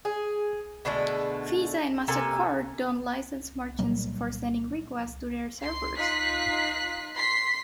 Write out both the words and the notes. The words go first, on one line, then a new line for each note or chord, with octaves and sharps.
Visa and MasterCard don't license merchants for sending requests to their servers.
G#4
B2 D3 G#3 A3
C3 A#3 A4 G#5
A#2 F#3 G3 A#3
C6 C7
D#4 F4 F#6 B6 C7
C6 B6 C7